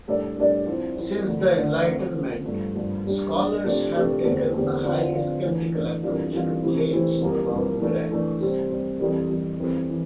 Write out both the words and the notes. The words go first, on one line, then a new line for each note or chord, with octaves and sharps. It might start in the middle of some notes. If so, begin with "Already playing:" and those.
Since the Enlightenment, scholars have taken a highly skeptical approach to claims about miracles.
A2 G3 D4 A4 D5
A2 G3 D4 A4 D5
F3 C4 E4
F3 C4 E4
D2 D3 F3 A3
D2 D3 F3 A3
F3 A3 C4
F3 A3 C4
G2 F3 A3
G2 F3 A3
A#2 G3 D4
A#2 G3 D4
C3 F3 A3 D4 G4
C3 F3 A3 D4 G4
E2 D3 A3 C4 G4
E2 D3 A3 C4 G4
D3 F3 C4 F4
D3 F3 C4 F4
E3 A3 D4
E3 A3 D4
F2 E3 G3 D4 F4
F2 E3 G3 D4 F4
C3 E3 A3 C4 E4
C3 E3 A3 C4 E4
C2 C3 F3 A#3
C2 C3 F3 A#3
E3 A3 D4
E3 A3 D4
C3 G3 C4
C3 G3 C4
F2 E3 G3
F2 E3 G3
F2 E3 G3 C4
E3